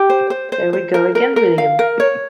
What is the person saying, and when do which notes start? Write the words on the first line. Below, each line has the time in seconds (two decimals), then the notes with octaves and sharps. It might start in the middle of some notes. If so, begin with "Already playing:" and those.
There we go again, William!
Already playing: G4
0.10 C5
0.30 C5
0.52 C5
0.73 C5
0.94 A#4
1.15 A#4
1.36 A#4
1.58 F5
1.79 A#4
2.00 C#5